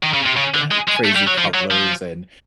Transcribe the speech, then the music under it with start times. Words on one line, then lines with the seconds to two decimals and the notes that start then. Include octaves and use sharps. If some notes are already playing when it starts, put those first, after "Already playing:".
the crazy colors and
0.03 D#3
0.14 C#3
0.26 C3
0.37 C#3
0.54 D3
0.71 G#3
0.88 G#3
1.04 A3
1.15 G3
1.27 F#3
1.38 F3
1.54 F#3
1.71 F3